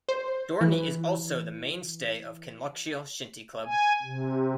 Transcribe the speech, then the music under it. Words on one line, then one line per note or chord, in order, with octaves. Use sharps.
Dornie is also the main stay of Kinlochshiel Shinty Club.
C5
E3
G#5
C3